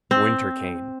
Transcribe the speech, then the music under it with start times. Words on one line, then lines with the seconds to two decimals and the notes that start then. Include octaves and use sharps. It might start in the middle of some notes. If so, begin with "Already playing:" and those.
Winter came!
0.11 C4